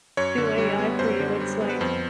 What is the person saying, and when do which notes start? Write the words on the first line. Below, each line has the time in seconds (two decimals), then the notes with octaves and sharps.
do AI for you, it's like
0.17 F#2 C#5
0.38 D3
0.58 G3
0.78 B3
0.99 F#2 C5
1.19 D3
1.40 G3
1.61 B3
1.70 B4
1.81 F2 C5